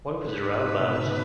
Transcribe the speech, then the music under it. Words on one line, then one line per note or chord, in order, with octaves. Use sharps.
What was the row about?
G#2 B4 C#5
G#2
B2
G#2
B2
B2